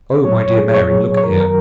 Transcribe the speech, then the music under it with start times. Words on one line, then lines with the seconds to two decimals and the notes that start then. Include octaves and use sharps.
Oh, my dear Mary, look here!
0.24 A#2 F#3 C#5
0.41 C#5
0.57 G#4
0.74 A#2 F#3 C#5
1.17 C#5
1.23 F#2 D#3 F#3 A#4
1.41 A#4